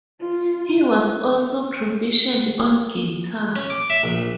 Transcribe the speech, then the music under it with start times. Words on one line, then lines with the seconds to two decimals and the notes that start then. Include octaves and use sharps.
He was also proficient on guitar.
0.20 F4
3.56 C#4
3.70 D6
3.90 E5
4.04 A#1